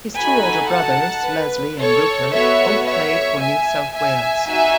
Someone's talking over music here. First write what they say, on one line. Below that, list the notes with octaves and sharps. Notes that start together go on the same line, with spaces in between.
His two older brothers, Leslie and Rupert, both played for New South Wales.
D#4 F#4 A4 G#5 B5
F#5 A5
B4
A4 C#5
B3 F#4 A4 C#5 E5
C#5 E5
E5 G#5
E5 G#5
D#4 F#4 E5 G#5